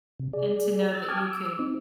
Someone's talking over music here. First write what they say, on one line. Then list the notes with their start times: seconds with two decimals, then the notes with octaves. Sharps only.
and to know that you could
0.20 C3
0.33 G#4 D5
0.94 E6 A6
1.08 G5 A5 D6 D#6 F6 G#6
1.27 D6 E6
1.59 C4 D#4